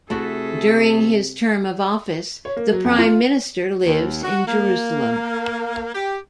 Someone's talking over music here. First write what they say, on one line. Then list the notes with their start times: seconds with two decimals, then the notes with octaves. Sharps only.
During his term of office, the prime minister lives in Jerusalem.
0.10 C3 A3 E4 F#4 G#4 A4 B6
2.45 C#5
2.57 A#3
2.73 F#3
2.85 F2
2.98 F4
3.85 D#2
4.23 F#4
4.46 A#3
5.95 G4